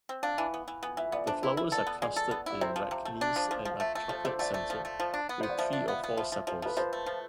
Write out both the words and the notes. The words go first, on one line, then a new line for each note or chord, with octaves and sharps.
The flowers are clustered in racemes and are chocolate-scented, with three or four sepals.
C4
D4 F5
E3
B3
E3
B3 G#5
E3 E5
B3 D5
D4 C5
E4 B4
E4
A4 D5
B3
G#3 D5
A4
B3
E4 D5
C3 C5
F3
C3
A3
D4
F3
F3
F3 F5
A3 E5
A3 E5
F3 C5
D3 C5
A3 D5
A3
F3
A3
F3
D4
B3
B3 C5
D5
F3 E5
D4
E5
B3 F5
B3
F3 E5
F3
F3 C5
F3 B4
F3 C5
A3
F3